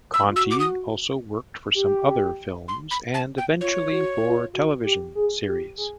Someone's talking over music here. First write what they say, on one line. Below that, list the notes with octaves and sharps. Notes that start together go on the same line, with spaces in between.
Conti also worked for some other films and, eventually, for television series.
E6
F4
F#4 E6
D6
D#6
G4
C6
B5
A5
G5
F4 C#5
F#4
F4
F#4
G4
G#4
G4
G#4